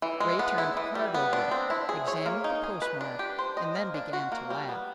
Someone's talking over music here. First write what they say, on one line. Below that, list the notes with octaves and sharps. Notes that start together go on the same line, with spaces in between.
Ray turned the card over, examined the postmark, and then began to laugh.
E3
G#3
B3
E4
E3
G3
B3
D4
C4
E4
G#4
C#5
A#3
D#4
G#4
B4
D4
G4
C5
D#5
A#3
D4
F#4
A#3
G3
B3